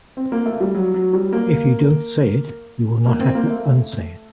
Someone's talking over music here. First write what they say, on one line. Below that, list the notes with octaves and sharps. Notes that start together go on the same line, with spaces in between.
If you don't say it you will not have to unsay it.
C4
A#3
A3
G3
F#3
F#3
G3
A#3
A#3
C4
A#3
A3